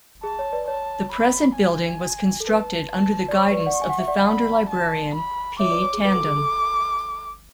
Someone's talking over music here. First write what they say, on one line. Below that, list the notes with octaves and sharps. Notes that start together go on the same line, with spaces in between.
The present building was constructed under the guidance of the founder librarian P. Tandon.
G#4 A5
C#5
B4 D5
C#5 A5
B5
G#5
A4
B4 A5
A5
D5
C#5 C#6
B4 D5
D5 F#5
G#5
F#5
E5
D5 F#5
B5
A5
B5
C#5 E5 D6
B4 D5
C#5
G#4
B4 D6
A4
G#4
A4